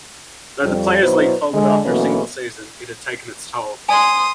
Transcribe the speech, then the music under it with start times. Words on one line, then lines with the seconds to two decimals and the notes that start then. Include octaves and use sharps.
Though the Players' League folded after a single season, it had taken its toll.
0.64 F2 G3
1.03 B2 F#3 E4 B4 C5
1.54 D3 G#3
1.86 B2 E3 F#3 A3 A#3 C#4
3.89 D5 G#5 C6 D#6